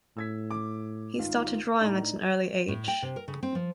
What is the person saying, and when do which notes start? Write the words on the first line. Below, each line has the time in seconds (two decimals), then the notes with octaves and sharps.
He started drawing at an early age.
0.17 A2 E6 G#6 B6
0.51 D6
1.19 G#1 D#3 F4
1.81 A2 D4 D#4 A#5
2.68 A2
2.88 G5
3.02 C3
3.16 A#4
3.28 C#3
3.43 C4
3.55 F3